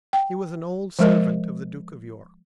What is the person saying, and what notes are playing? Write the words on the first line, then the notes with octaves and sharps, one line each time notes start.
He was an old servant of the Duke of York.
G5
F3 G#3 A#4 D#5